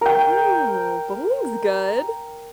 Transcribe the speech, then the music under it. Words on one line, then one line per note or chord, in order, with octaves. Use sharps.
Oh, bowling's good,
A#4 G5